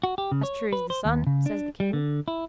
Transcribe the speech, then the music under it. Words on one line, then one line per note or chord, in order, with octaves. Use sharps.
"As true as the sun," says the king.
F#4
G4
C#3
C#5
B4
C5
D#2
C#3
D4
G3
D3
E4